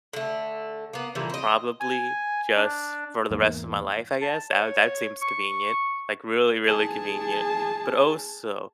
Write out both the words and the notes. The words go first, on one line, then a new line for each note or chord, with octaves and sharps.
probably just for the rest of my life, I guess that that seems convenient, like, really, really convenient, but also
D3 A3
A#3 B3
A#2 D3 E3 G3
C4 D#5
G#5
D4
E2 G#2 E3 A#3
A5
C#5
C#6
G#4 A5